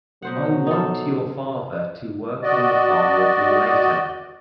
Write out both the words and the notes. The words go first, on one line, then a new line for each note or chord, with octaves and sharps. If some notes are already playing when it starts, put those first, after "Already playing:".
I want your father to work on the farm with me later.
B2 F#3 C5 F#5
D#4 A4
F#4 D5 D#5